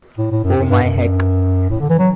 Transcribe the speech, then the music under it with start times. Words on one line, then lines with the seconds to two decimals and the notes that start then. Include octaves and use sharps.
Oh my Heck!
0.18 A2
0.32 A2
0.44 F#2
0.57 F#2
0.70 G2
0.83 F#2
1.70 A2
1.80 D3
1.90 E3
1.99 F#3